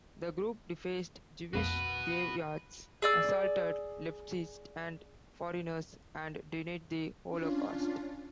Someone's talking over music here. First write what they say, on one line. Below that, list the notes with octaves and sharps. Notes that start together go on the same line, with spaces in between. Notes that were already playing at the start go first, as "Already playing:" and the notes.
The group defaced Jewish graveyards, assaulted leftists and foreigners, and denied the Holocaust.
B1 F2 A#3 F#4 B4
G#4 D5 E6
C#4 D4 F4